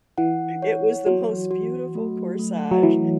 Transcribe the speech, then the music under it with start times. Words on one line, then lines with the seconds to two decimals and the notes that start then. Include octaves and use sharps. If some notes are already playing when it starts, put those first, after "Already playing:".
it was the most beautiful corsage,
0.18 E3 F#5
0.62 C#5
1.06 F#3 F#4
1.51 F#4
1.95 A3
2.39 A3
2.71 F#3
2.83 E3 A3